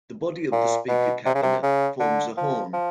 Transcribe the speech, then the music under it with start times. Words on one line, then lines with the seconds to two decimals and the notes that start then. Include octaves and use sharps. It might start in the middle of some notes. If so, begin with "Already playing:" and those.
The body of the speaker cabinet forms a horn.
0.52 A#2
0.88 B2
1.26 C3
1.34 C#3
1.42 C3
1.63 C#3
2.00 D3
2.37 F3
2.73 F3